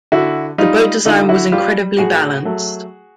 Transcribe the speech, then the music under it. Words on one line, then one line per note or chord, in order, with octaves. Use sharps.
The boat design was incredibly balanced.
D3 E4 F#4
G3 D#4 F4
D3 D#4 F4
E4 F#4
G3 F4 G4
A2 F#4 G#4
F#3 A3